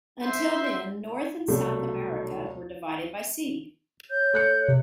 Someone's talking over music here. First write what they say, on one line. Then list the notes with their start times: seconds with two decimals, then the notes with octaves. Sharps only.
Until then North and South America were divided by sea.
0.24 C5 E5
1.48 C2 B2 F#3 A3
4.10 C#5 G6
4.33 A3 F#6 C#7
4.68 C3